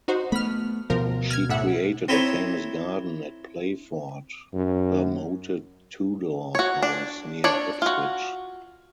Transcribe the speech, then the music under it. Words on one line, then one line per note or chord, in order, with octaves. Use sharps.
She created a famous garden at Playford, her moated Tudor house near Ipswich.
D#4 F#4 C5
A3 B3 B5 F6
D2 B2 F3 A#4
F6 G#6
A2 E5 F#5
C4 D#4 E4 A4 C5 C#5
F#2
F#4 C#5
D4
D4 C#5 D5
F4 F#4